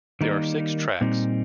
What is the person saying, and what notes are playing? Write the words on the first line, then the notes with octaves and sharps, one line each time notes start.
There are six tracks.
D#3 G3 A#3 D#4
A#2 G3 C4 D#4